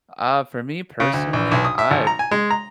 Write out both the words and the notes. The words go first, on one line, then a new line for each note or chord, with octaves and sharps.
Uh, for me personally, I
C#3
D2
A#1
B1
D#6
E5
G#1
A#5
G#5
G#3
A#5